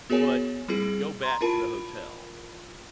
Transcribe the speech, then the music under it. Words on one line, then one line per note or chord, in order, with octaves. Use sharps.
but we go back to the hotel,
B3 F#4 G#4 A#4 C#5 G#5
G3 C4 E4 G#4
A#5 C6
E4 F4 A#4 A5 B5